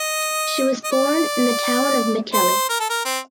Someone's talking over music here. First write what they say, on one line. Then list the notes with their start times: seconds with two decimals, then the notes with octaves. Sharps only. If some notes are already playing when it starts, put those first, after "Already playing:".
She was born in the town of Mikkeli.
Already playing: D#5
0.84 D#5
0.91 D5
2.34 C5
2.70 A#4
2.80 A4
2.90 A#4
3.05 C4